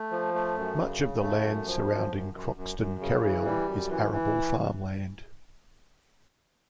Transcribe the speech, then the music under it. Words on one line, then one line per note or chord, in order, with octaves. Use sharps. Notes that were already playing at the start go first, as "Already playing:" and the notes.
Much of the land surrounding Croxton Kerrial is arable farmland.
Already playing: A3
F3
A3
F#2
C#3
C#3
A3
F#2
F3
F#2
F#2
F#2
F#2
F#2
C#3
E3
G3
F#2
E3
E3